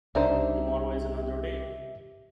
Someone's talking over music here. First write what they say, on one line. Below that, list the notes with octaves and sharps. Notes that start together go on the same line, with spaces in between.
Tomorrow is another day.
C2 C#3 D4 D#4 G4 C5 D#5 E5